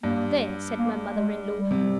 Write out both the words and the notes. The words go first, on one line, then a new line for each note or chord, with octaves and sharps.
"There!" said my mother-in-law.
G2 A#3
A#3
G#3
G3
C3